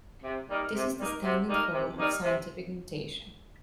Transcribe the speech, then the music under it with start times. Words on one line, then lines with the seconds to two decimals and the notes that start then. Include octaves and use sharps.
This is the "standard form" of scientific notation.
0.24 C3
0.48 G3 A#3 D#4 A#4
0.74 C3
0.98 G3 A#3 D#4 A#4
1.23 C3
1.48 G3 A#3 D#4 A#4
1.73 C3
1.98 G3 A#3 D#4 A#4
2.22 C3